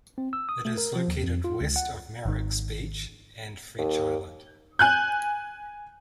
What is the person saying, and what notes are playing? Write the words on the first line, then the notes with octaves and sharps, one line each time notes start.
It is located west of Merricks Beach and French Island.
C4
E6
D#6
A3
A#4
F3
D#2
F2
F4
C#2
F#5
G#1 D#3
D#2
G#5 F#6 G6